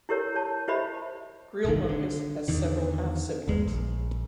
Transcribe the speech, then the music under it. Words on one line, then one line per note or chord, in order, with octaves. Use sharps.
Greil Marcus has several half-siblings.
E4 G4 A#4 C#5
C#5 A5
E4 G4 C5 D#5 E5 B5
G1 C2 G2 D#3
D3
E2 D3 D#3
G1 D#2 G#3
A#1